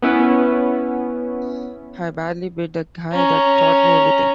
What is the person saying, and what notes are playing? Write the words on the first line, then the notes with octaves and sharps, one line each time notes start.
I barely beat the guy that taught me everything.
B3 C#4 E4 B4
C#4 A#5